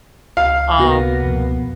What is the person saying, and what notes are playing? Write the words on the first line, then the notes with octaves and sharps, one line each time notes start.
U um,
C#2 F5
C3 A#3 B3 F#4 A#6
F2 B2